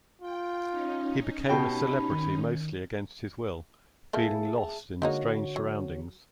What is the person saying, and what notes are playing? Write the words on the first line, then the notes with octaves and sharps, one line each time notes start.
He became a celebrity mostly against his will, feeling lost in the strange surroundings.
F4 G5
C#4 D#4
B2 G4 G5 A5 B5
D#3
F3 A3 A#3 G#4 E5 A5
D3 G#3 A#3 D#4 F#4 C#5
F#3